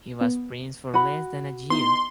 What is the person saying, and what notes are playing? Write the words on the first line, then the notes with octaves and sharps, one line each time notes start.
He was prince for less than a year.
B3
F#4 B5
B3 D#4 E4 C6